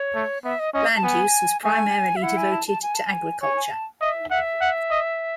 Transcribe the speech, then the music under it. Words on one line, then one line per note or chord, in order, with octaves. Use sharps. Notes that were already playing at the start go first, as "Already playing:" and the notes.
Land use was primarily devoted to agriculture.
Already playing: C#5
A3
B3 E5
D#5
C#4 D#5
A5
B3 G#5
A3 G#5
E5
E4 F#5
G#5
A5
A5
G#5
A5
G#5
C#5 G#5
G#5
A5
D#5 E5
E5 F#5
F#5
D#5